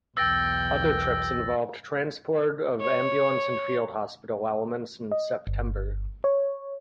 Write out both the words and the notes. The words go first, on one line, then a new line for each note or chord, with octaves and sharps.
Other trips involved transport of ambulance and field hospital elements in September.
B1 E2 G5 E6 A6 A#6
C#5
D#5
G1
C#5